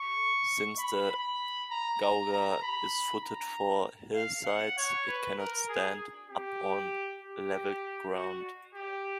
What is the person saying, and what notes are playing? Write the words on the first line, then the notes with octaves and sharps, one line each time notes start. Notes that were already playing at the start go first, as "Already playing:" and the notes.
Since the gouger is footed for hillsides, it cannot stand up on level ground.
Already playing: C#6
B5
B5
A#5
A#5
A#5
B5
A#5
F5
F#5
C#5
B4
A#4
G#4
G4
G4
F#4
G4